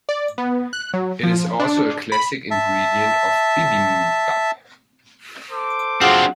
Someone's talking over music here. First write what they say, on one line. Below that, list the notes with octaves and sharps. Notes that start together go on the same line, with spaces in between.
It is also a classic ingredient of bibimbap.
D5
B3
F#6
F#3
F3
D4
B5
E5 A5
A4 C5 D6
F#3 C4 D4 F4 G#4 F#5